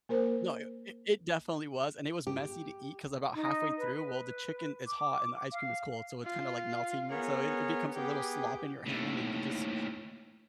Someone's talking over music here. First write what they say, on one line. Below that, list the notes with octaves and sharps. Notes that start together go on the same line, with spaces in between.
No, it it it definitely was, and it was messy to eat 'cause about halfway through, well, the chicken is hot and the ice cream is cold, so it's kinda, like, melting. So it it becomes a little slop in your hand, and you just
A#3 A#4 C5
G4
D#4
B4
B4
D6
F5
F4
B3 G#4 A#4 C#5
B3 G4 G#4 G5
D#2 A2